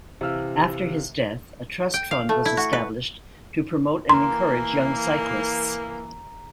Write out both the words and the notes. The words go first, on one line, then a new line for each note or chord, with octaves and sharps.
After his death, a trust fund was established to promote and encourage young cyclists.
C3 E3 F5 E6 F6
G5
F5
A3
E4
F#4
B4
E3 A#3 A#5 C6